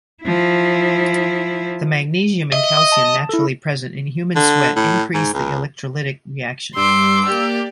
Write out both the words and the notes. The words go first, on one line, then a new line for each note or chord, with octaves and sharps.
The magnesium and calcium naturally present in human sweat increase the electrolytic reaction.
F3 E4
D#5 E5
D#6
A5
E4 A4
D3
A2
G#2
C#2
G2 G3 C6 D6 E6
A#3 G4 D5